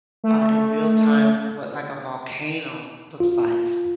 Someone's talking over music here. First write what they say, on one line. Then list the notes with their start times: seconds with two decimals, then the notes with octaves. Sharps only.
uh, in real time what, like, a volcano looks like.
0.24 A3
3.20 F4